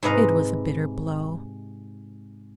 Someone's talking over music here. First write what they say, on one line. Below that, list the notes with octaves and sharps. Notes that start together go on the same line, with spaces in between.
It was a bitter blow.
G#2 C3 B4 D#5 F5 A#5